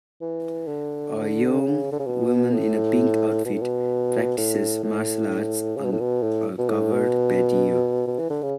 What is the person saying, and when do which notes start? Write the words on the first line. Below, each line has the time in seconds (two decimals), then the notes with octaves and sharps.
A young woman in a pink outfit practices martial arts on a covered patio.
0.21 E3
0.67 D3
1.60 C#3
1.92 D3
1.99 C#3
2.06 B2
2.53 A2
3.45 B2
3.53 A2
3.62 B2
4.38 A2
4.84 A2
5.77 C#3
5.84 B2
5.92 A2
6.01 B2
6.22 A2
6.58 B2
6.69 A2
6.92 B2
8.07 B2
8.19 E3
8.30 D3
8.42 C#3